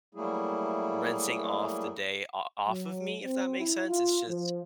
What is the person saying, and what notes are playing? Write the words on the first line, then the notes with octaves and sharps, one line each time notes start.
rinsing off the day o off of me, if that makes sense. It's just
F#3 G3 A3 A#3 E4 G#4
F#3
C4
E4
F4
F3